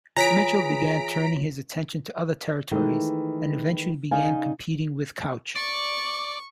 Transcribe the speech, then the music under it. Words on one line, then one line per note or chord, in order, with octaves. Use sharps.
Mitchel began turning his attention to other territories, and eventually began competing with Couch.
E3 F4 G#4 C#5 A#5 B6 D7
D#3 E3 G#3 A3
C#3 D#4 D5 F5 G#5
D5 C#6